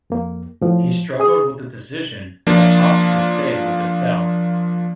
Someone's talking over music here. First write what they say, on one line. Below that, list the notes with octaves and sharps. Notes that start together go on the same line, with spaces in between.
He struggled with the decision, but opted to stay with the South.
F2 A#3
A2 F3
G#4 D#6
F3 A#3 D4 F4